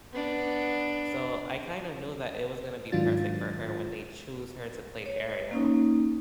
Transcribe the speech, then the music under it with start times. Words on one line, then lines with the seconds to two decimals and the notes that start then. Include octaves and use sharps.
So I kinda knew that it was gonna be perfect for her when they choose her to play Ariel.
0.13 B3 D4
2.92 G#2 D#3 F#3 D4 F4 A6
5.06 C#5
5.51 A#3 C#4 D#4